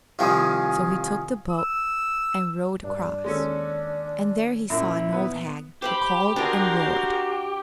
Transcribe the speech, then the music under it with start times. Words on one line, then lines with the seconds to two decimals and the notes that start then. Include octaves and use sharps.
So he took the boat and rowed across, and there he saw an old hag, who called and roared.
0.19 C2 D#3 F3 F5 G#5 D#6
1.50 E6
2.84 G2 D4
3.24 D#2 G#3 C#4 A4
4.70 F#2 A#2 E4
5.13 B3
5.82 G4 C5 G5 B5
6.36 D4 F#4 G#4 A#4 C6